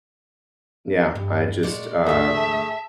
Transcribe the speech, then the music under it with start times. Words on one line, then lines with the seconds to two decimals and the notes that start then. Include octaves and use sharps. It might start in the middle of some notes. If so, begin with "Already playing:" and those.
yeah, I just, um
1.15 G2
1.63 A#2 F#3 G#3 D5
2.07 D2 G#2 E3 A3 G#4 A4 E5
2.37 A5